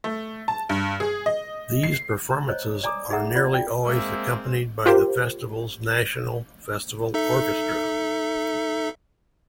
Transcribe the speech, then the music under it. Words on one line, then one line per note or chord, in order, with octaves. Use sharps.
These performances are nearly always accompanied by the festival's "National Festival Orchestra".
A3
A5
G2
G#4
D#5
C7
A#5
C5 C#5 D#5
D5 G#5 A#5 D6 D#6
D#4 G#4 A4 E5 F#5 A#5
F4 D5
G5
G#3 A#3 C4 E5
F4 G4 A#4 C5
D#4 A4 E5